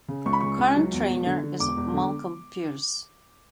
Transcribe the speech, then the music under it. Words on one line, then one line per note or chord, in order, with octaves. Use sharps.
Current Trainer is Malcolm Pierce.
C#3
C#2 C#6
B5
C#3 C#6
C#2
F#3
E2
E1
D3
D3
E1 D6
E1
D3